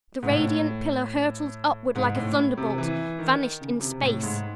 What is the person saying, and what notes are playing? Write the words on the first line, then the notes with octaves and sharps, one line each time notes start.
The radiant pillar hurtled upward like a thunder-bolt; vanished in space.
G#2
A2
G#2
A2
C3
E3
D#3
C#3
C3
A2
G#2